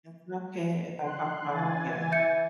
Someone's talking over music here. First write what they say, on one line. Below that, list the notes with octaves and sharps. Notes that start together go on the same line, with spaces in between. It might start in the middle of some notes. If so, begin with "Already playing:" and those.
Is it okay if I talk about yeah.
C6 F#6
E3 G#5 A6
E5 G6 C#7